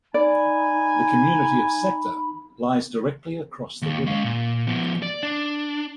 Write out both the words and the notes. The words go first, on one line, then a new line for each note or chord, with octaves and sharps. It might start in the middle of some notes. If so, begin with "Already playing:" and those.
The community of Sector lies directly across the river.
D#4 D5 G#5 B5
D#2
G#3 F5
A#2
F3 B3
D5
D4